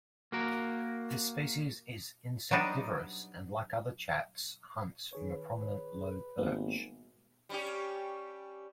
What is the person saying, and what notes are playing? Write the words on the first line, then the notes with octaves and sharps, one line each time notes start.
This species is insectivorous, and like other chats hunts from a prominent low perch.
A#3 F#4 A#4
F#3 G3 B3 D4 D#4
D#3 G#4 B4 C#5
G#1 G3 A#3 B3
G3 C#4 G4